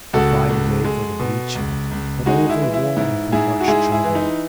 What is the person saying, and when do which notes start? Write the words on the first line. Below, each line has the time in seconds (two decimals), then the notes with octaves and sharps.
A fine day for the bleaching, but over warm for much travel.
0.13 C#2 F#4 A4
0.49 C#2
0.85 G#3
1.20 B2
1.55 C#2
1.91 C#2
2.26 G#3 D#4 F#4
2.49 E4
2.62 E3
2.73 E4
2.97 G#2 E4
3.32 G#2 E4 G#4
3.60 F#4
3.68 G#3 E4 G#4
3.92 E4 G#4
4.04 E3
4.15 D#4